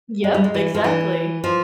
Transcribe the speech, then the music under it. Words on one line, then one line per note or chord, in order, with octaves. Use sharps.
Yep, exactly,
G#3
G3
G#3
E3
F3
E3
F3